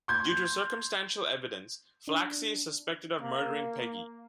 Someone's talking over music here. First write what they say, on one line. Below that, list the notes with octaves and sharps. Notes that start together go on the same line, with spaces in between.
Due to circumstantial evidence, Flaxy is suspected of murdering Peggy.
C6 G6 G#6
D4
A#3